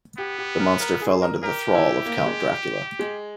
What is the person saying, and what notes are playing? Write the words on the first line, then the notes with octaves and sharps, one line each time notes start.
The monster fell under the thrall of Count Dracula.
B3 G4
G4
A#4
A#4
G#4
A#4
G4 A#4
E4
A#3
G#3
G#3